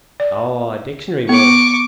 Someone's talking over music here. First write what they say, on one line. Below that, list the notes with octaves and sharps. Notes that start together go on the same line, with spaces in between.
Oh, a dictionary word.
D5
B3 C#6 D6